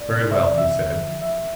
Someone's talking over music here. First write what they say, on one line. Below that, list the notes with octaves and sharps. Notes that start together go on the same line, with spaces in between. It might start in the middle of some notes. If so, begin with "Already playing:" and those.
"Very well," he said.
Already playing: D5
C3
C3 E5
D5
E3 E5
D3
F3
F3 E5